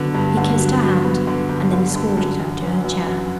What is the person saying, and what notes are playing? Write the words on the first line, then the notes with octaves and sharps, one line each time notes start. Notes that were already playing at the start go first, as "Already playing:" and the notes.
He kissed her hand, and then escorted her to her chair.
Already playing: D3 F#3 B3
G2
D3
F#3
F#3
B3
D3
G2
D3
D3
F#2
F#2
E3
F#2
F#2